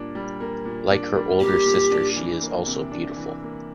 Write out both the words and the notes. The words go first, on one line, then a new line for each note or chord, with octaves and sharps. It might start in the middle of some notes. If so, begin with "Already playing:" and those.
Like her older sister, she is also beautiful.
Already playing: A#2 G3 A#3 D4
G3
A#3
A#2
D4
G3
A#3 G4
A#2
D4
E3
A#3
C3
D4
E3
A#3